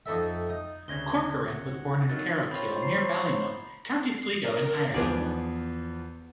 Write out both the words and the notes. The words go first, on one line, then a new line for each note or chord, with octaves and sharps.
Corcoran was born in Carrowkeel, near Ballymote, County Sligo in Ireland.
F2 D#4 A4 E5
D#4
D2 C#3 G#6 A#6 G7
F#5
D#3 F#3 A6
C4 F4 C5 C#5 B5 F7
A#5 C7
C7
A#4
E2 F3 B3 G#4 D5